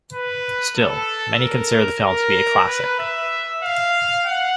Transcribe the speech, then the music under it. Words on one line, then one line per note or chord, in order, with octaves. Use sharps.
Still, many consider the film to be a classic.
B4
A4
A#4
A#4
B4
E5
F5
F#5